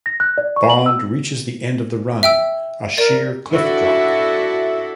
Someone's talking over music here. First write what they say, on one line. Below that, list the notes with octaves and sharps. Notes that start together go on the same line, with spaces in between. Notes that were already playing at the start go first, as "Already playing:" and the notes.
Bond reaches the end of the run - a sheer cliff drop.
A#6
F#6
D5
C#6
F#7
E6
E5 G5 E6
A#4 D5 A6
D4 E4 F#4 A4 E5